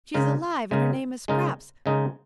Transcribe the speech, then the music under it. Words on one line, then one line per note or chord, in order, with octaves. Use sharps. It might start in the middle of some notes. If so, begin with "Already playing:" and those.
She's alive and her name is Scraps.
C#3 G#3 D#4 A#4
C#3 G#3 D#4 A#4
C#3 G#3 D#4 A#4
C#3 G#3 D#4 A#4